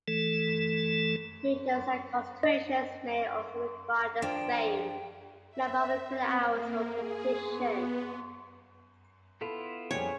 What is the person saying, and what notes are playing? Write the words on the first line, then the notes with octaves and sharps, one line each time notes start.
Majors and concentrations may also require the same number of credit hours for completion.
E3 A3 A4
D#5
F3 D4 G5
E5
C4
A#3
G#4
B3
B3 E4 F4 A4
F2 G3 C#4 D4 G#4 C#5 G5